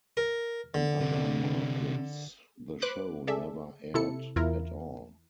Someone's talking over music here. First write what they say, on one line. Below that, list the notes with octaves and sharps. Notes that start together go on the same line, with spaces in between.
In other markets the show never aired at all.
A#4
D3
C3 D4
B4 C5 D6 F#6
G#4 A4 D5 E5
C3 E4 A4 C#7
E2 E4 F4 A#4